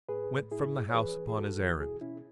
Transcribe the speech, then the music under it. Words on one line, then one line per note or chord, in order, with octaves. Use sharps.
He went from the house upon his errand.
A2 G#4 B4
A2
A2 E4 G#4
A2
C#5
E3 G#4 B4
E3
G#4
A2 F#4 A4
E3
B2 E4 G#4
B2 C#4 E4